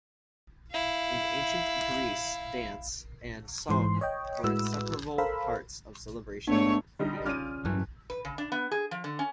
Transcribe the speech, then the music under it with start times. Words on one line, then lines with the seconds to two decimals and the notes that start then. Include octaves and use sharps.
In Ancient Greece dance and song were inseparable parts of celebration and theatre.
0.71 E4 F5
3.69 G#2 E3 C5 C6
4.01 C#5 D#5 G5
4.44 A2 G#3 E4 F#4 B4 E6
5.18 A4 A#4 C5 F5 B5 E6
6.47 G#2 A3 B3 D4 C#5
6.99 D3 G3 D#4
7.26 C#3 F4 D5 F6 D#7
7.65 G2 E3 F#3 A3
8.10 B4
8.25 C#3
8.38 D4
8.52 B3
8.71 G#4
8.91 F3
9.04 D3
9.19 C#4